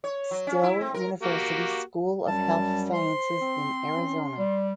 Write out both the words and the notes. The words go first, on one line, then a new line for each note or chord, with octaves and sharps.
Still University School of Health Sciences in Arizona.
C#5
F#3
C#4
E4
C4
A#4
A#3 F#4 G4
F#2 G3 A5
C5 C6
C4
C#4
G3 D5